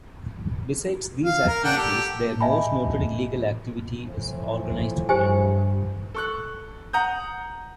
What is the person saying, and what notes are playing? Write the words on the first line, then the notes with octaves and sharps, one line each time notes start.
Besides these activities, their most noted illegal activity is "organized crime".
F5
A#4
D4 F#5 G5
G4 A4
D#5 E5 G#5 A5 B5
A2 E3 F3
G2 G4 C5 G#5
A4 C#6 F#6
F#5 A#5 D#6 G6